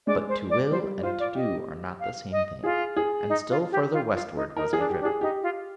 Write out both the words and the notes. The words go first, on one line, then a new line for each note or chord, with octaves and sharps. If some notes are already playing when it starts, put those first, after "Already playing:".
But to will and to do are not the same thing, and still further Westward was I driven.
G#3 D5
C5
D5
G3 C5
D5
F4 C5
D5
G4 D#5
F5
D#5
F4 G#4
G#4
D#4
F4
G4
F4
F4
D#4
D#4 A#4
G#4
D4
G4
D4
G#4
D#4 G4
F4